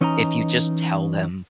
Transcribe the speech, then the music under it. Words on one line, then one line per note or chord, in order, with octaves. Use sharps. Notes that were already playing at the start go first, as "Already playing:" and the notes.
if you just tell them,
E3 C#4 D#4 D#5 E5 A#5